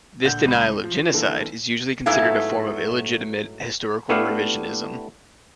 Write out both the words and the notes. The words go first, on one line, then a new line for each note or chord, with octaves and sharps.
This denial of genocide is usually considered a form of illegitimate historical revisionism.
A#1 D3 F#5 G6
C#2 B5
F3
D3 E3 A#3 A4 A#4
G#2 F#3 A3 B3 E4 F5
A3 B3 D4 E4 G4 F5